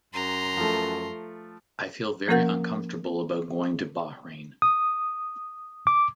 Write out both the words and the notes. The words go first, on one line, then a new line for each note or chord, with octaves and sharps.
I feel very uncomfortable about going to Bahrain.
F#2 A#5 C6
F3 A3
F3 A#3 C#4 A#4 F#5 G6
D#6
D6